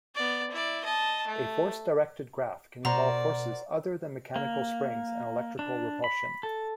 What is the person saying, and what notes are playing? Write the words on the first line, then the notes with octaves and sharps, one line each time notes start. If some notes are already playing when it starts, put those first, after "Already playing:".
A force-directed graph can involve forces other than mechanical springs and electrical repulsion.
B3 D5
E4 D5
D#5 A5
A3
B2 F#4 A#4 C5 D5 A#5
A#3
D4
B5
A4